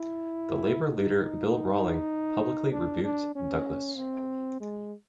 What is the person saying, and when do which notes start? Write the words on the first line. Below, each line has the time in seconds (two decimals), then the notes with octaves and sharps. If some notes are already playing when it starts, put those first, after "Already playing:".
The Labour leader Bill Rowling publicly rebuked Douglas.
Already playing: E4
0.84 D#4
2.72 D4
3.04 D4
3.35 C#4
3.97 C4
4.60 G#3